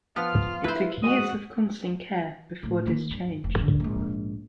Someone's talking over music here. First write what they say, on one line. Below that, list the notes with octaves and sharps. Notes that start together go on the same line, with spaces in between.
It took years of constant care before this changed.
F3 B3 F4 F6
E4 B4 C5
G#3 F#4 F#5 D#6
A2
D#3 A#3
G2
F1
D3
A#1 G#2